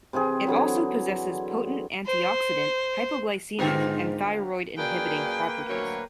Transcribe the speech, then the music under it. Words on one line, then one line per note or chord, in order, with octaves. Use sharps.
It also possesses potent antioxidant, hypoglycemic and thyroid inhibiting properties.
C3 E3 C4 G#4
D3 E3 F#3
C5
G#2 D3 B3 C4 F4 G4 A#4
F#2 A#2 A#3 G#4 B4 D5 G5
D2 F#3 A#4 C#5